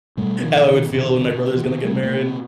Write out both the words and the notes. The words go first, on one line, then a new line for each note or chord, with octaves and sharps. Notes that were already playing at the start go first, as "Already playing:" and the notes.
how I would feel when my brother is gonna get married.
B2 G3 A3
D#3 F3
B2
D#3
B2 D3
D#3
D3
D#3
B2 D3
E3
B2 D#3
G3 A3
B2 A3 B3
A#3 C4